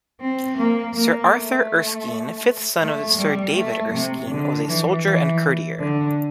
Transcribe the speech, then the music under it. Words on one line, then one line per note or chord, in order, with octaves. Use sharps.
Sir Arthur Erskine, fifth son of Sir David Erskine, was a soldier and courtier.
C4
A#3
A#3
A3
A3
G3
A3
C3
D3
E3
E3
D3